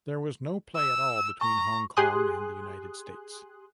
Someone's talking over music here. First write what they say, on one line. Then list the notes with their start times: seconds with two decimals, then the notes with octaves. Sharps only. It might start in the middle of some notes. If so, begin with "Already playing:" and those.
There was no play at all between Hong Kong and the United States.
0.76 E6
1.41 A#5 C#6
1.97 G4 G#4 G#5 C6 D#6 F#6